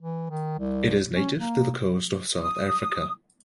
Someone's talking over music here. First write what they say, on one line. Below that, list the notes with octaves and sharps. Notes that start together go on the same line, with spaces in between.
It is native to the coast of South Africa.
E3
D#3
C2
C#4
A#3
D#6